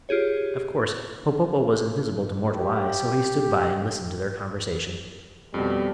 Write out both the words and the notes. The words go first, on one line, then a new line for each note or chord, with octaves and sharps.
Of course Popopo was invisible to mortal eyes, so he stood by and listened to their conversation.
F4 G4 G#4 C#5
G4
F2 B2 G3